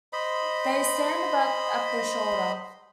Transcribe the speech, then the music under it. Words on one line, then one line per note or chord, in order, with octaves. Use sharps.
They stand about at the shoulder.
C5 D#5 B5